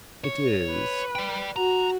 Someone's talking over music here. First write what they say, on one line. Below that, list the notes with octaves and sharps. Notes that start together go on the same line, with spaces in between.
It is.
C#5
B4
D5 G5
F#4 A#5